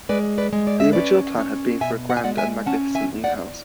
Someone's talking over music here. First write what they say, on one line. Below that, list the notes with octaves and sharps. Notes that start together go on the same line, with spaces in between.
The original plan had been for a grand and magnificent new house.
G#3 B4 D5
B4 D5
G#3
D5
E5
C#4 B4 D5
C#4
B2 E5 G#5
F#5
G#5
G#3 D5 F#5
E5 G#5
C#4 F#5 A5
E5 G#5
E2
D5 F#5